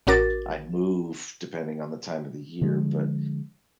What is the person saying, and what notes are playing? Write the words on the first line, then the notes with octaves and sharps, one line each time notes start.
I move depending on the time of the year, but
A1 C#4 F#4 A#4 D6 A6
D3 F3 G#3